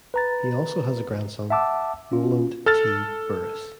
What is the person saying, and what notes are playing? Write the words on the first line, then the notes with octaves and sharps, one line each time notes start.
He also has a grandson, Roland T. Burris.
B4 A#5 A6
E5 F#5 A5 D6 E6
C#4 F4
A4 F6 A6